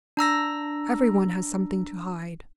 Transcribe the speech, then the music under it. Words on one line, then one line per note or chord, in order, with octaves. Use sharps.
Everyone has something to hide.
D4 A#5 E6 A#6